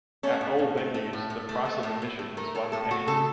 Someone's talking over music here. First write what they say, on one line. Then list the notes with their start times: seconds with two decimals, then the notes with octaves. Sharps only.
At all venues the price of admission was one penny.
0.23 A3 C#4
0.41 A2
0.59 A2
0.77 A3
0.94 A3
1.13 A2
1.30 A2
1.49 A3
1.65 A3
1.83 A2
2.02 A2
2.19 A3
2.37 A3 A#4
2.55 A2 A4
2.72 A2 A4
2.91 A3 F#4
3.07 C#3 A4